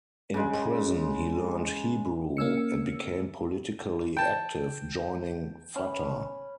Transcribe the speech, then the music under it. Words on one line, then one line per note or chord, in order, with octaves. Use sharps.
In prison, he learned Hebrew, and became politically active, joining Fatah.
C#3 G#3
A#3 C#4 E6 C#7
G5 A5
C#4 B4 B5